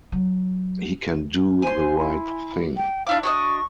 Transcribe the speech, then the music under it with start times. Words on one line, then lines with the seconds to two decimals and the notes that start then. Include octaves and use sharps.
He can do the right thing.
0.12 F#3
1.62 C5 G#5 C6
1.98 E4
2.77 G5
3.07 D4 E4 F5 D6
3.23 D4 F#4 D#5 C#6